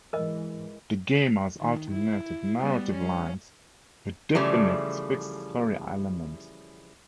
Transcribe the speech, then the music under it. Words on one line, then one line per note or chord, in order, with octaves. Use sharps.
The game has alternative narrative lines, with definite fixed story elements.
G#2 E3 G#3 A#4 D#5
D#3
E4
G3 B3
C#4
C#3 E3 F3 G3 A3